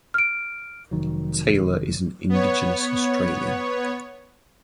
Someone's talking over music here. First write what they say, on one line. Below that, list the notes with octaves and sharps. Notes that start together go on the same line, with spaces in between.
Taylor is an Indigenous Australian.
F6 D7
F1 C#2 D#3 F#3
B3 C#5